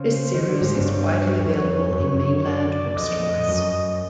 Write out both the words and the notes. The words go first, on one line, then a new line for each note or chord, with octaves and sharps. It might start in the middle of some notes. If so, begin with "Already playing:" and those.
This series is widely available in Mainland bookstores.
Already playing: C#3 C5
D#3
D3
G#2
G2
C#5
F2
F#2
D5
F2 D#5
F#2